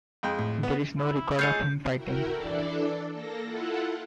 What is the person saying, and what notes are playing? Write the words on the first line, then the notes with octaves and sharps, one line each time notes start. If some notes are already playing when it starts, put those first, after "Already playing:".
There is no record of him fighting.
F2 G#3 G5
A2
B3
E4
A3 F4 G#4 C#5 D#5 G6
E4 F#4 A#4 G5
E3 D4 A4 D5
A#3 A4 A#6
E4 F4 A4 F#5